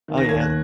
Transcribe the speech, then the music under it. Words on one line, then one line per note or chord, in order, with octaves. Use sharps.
Oh, yeah.
D#3
A#6
D#2 G#6
F#6